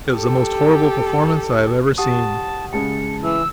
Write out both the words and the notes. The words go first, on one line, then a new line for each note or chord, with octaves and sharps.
It was the most horrible performance I have ever seen.
G4 A4
G4 F#5 A5 D#6
C#3 G#3 A5 C#7
E3 E6